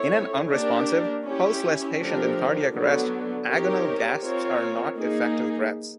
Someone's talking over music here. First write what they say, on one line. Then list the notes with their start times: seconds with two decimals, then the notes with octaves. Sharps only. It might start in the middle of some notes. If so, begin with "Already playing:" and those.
In an unresponsive, pulseless patient in cardiac arrest, agonal gasps are not effective breaths.
Already playing: C4 E4 A4 C#5
0.50 A#3 D4 G4 A#4
1.24 C#4 E4 G4
1.98 F3 A3 D4 G4 A#4
2.73 D3 F#3 B3
3.47 C4 D#4 G4 A#4 C#5
4.21 C4 F4 A#4 C#5
4.96 A#3 D#4 G#4